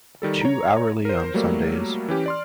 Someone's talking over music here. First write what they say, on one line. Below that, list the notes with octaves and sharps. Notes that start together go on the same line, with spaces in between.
Two-hourly on Sundays.
D#3 G3 A4
C#5 A#5
A#4 C5
F#3 G3 A3 A#3 A#4
E3 C#4 G4
D5 C6 F6